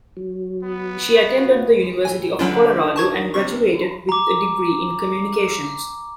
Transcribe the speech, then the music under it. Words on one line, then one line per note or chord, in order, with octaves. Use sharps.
She attended the University of Colorado and graduated with a degree in Communications.
F#3
B3
F4 F#4
A2 G#5
D3 F#3 C#4 D4 F4 B4 F#5
D#3 A5 C#6 G#6
C3 C#6
A#5 D6